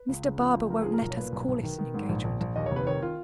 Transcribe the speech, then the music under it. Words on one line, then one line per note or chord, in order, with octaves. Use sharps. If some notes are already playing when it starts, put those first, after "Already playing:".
Mr. Barbour won't let us call it an engagement.
Already playing: B4
C#2
C#3
F3
C#2
F3 A#4
F3 G#4
A#4
B1
C#5
A#2 B4
B1
B1
D#3
D#3
G#2
A#1
A#1
A#1
D#2 D#5
C#5
F1
B4
D#3 C#5
F4